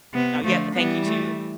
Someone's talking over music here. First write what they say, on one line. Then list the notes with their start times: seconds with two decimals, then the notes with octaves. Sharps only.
Oh, yeah, eh, thank you, too.
0.14 C3 B3
0.44 D3 F3 A3
0.75 E3 G3 B3
1.06 A3